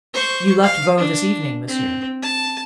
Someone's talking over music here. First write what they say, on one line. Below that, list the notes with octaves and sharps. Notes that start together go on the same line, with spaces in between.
"You left Vaux this evening, monsieur?"
C5 C#6
F5
D4
C4
A5